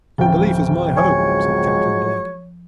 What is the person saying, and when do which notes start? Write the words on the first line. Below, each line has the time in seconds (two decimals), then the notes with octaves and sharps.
"Your belief is my hope," said Captain Blood.
0.18 D1 A1 F3 G5
0.97 F3 F#3 G#3 C#5 G#5